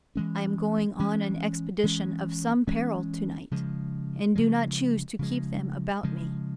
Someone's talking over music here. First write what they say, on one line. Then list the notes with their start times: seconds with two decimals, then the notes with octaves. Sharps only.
I am going on an expedition of some peril to-night, and do not choose to keep them about me.
0.15 E3 G#3 C#4
0.99 E3 G#3 C#4
1.84 E3 G#3 C#4
2.67 E3 G#3 C#4
3.51 C#3 F3 G#3
4.35 C#3 F3 G#3
5.19 C#3 F3 G#3
6.03 C#3 F3 G#3